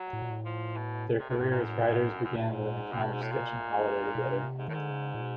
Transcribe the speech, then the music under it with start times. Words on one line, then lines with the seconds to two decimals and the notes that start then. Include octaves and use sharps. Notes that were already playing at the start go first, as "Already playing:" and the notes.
Their career as writers began with an account of a sketching holiday together.
Already playing: F#3
0.13 A2
0.22 A#2
0.30 A2
0.45 F3
0.77 B2
1.20 C3
1.30 C3
1.36 B2
1.40 A2 C3
1.51 A#2
1.62 F#2
2.24 F#2
2.36 G2 A#2
2.52 G#2
2.93 F#2
2.99 G2 B2
3.13 G#2
3.22 A2
3.32 A#2
4.15 B2
4.26 C3
4.58 G#2
4.68 A2 D#3
4.74 G#2
4.79 D3
4.90 C#3
5.15 A#2
5.22 B2